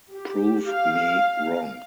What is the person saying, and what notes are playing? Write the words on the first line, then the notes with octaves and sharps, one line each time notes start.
Prove me wrong.
G4
F5